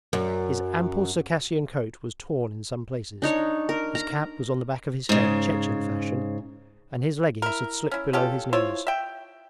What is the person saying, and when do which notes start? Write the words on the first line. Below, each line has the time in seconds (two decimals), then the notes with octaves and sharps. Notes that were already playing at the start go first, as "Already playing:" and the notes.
His ample Circassian coat was torn in some places, his cap was on the back of his head Chechen fashion, and his leggings had slipped below his knees.
0.13 F#2
3.22 D4 D#4 C#5
3.69 A#4
3.95 A#5
5.09 G#2 C#3
7.42 E4 A#4
7.91 C#4 E4
8.13 C#4 F4 G4 A4
8.53 E4 F4 C5 C#5
8.87 E5 G5